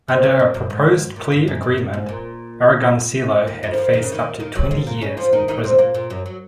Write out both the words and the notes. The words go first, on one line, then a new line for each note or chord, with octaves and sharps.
Under a proposed plea agreement, Aragoncillo had faced up to twenty years in prison.
C3
C3
A#2
F#2
G#2
A#2
G#2
F#2
F#2
G#2
G#2
A#2
D#2 D#3
F2 F3
D#3
F2 F3
D#3
C#3
D#2 D#3
D#2 D#3
F#2 F#3
G#2 G#3
A#2 A#3
C#3 C#4
F3 F4
D#3 D#4
D#3 D#4
C3 C4
A#2 A#3
A#2 A#3
F#2 F#3
F#3